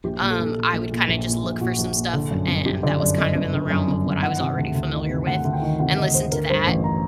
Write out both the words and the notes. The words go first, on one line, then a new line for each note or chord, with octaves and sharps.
um, I would, kinda, just, look for some stuff, and that was, kind of, in the realm of what I was already familiar with, and listen to that,
A#1 G4
A#2
A4
A#1
A#2
A#1
A#2
A#1
A#2
A#1
A#2 F#4
A#1
A#2
D3
F#2
G1
G1 G4
D3 D5
F#2 D5
G1 D#5
G1
D3
F#2
G1
G1
D#3 F#5
C3
D2
D2
D#3
C3
D2 F#5
D2
G5
D#3
C3 F#5
D2 D#5
D2 C5
D3 A#4
G2 C5
A1
A#5